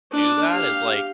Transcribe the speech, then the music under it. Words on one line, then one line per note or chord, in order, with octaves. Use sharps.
do that is, like,
D4 D6
G4 F5